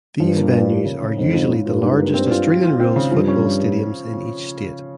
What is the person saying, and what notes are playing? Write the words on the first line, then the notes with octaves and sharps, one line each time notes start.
These venues are usually the largest Australian rules football stadiums in each state.
G2 F3
A#3
F3
A#3
C#3
C#3
F2 G#2
G#2
G#2
G2 F4
G#2
A#3
C4
F4
F4
F4
C4
C#3
G2 F3
C#4